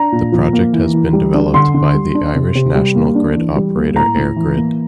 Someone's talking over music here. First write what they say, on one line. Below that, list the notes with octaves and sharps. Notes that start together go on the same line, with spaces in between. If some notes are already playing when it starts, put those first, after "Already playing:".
The project has been developed by the Irish national grid operator EirGrid.
Already playing: D4 A#5
A#2
F3
A#3
E3
E3
G3
D4
D3 C6
D3
G3
D4
C3
C3
G3
A#3
D4
E3
G3
A#3
A2 A#5
A2
E3
A#3